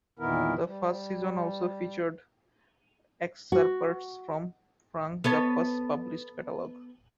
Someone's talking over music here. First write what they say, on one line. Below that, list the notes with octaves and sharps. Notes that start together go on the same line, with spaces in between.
The first season also featured excerpts from Frank Zappa's published catalog.
E2 A#2 D#3 B3 E4 A#4
G3
F#4
B3 A4 C#5